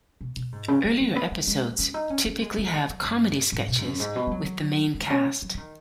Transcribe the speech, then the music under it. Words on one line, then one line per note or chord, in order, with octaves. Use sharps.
Earlier episodes typically have comedy sketches with the main cast.
B2
B2
G#2
C#3
F#3
F#3
B3
G#3
G#3
C#4
D#4
C#4
C#4
G#3
B3
G#3
F#3
F#2
G#2
B2
G#2
F#2
G#2
B2
G#3
F#3
G#3
C#4
F#3
D#3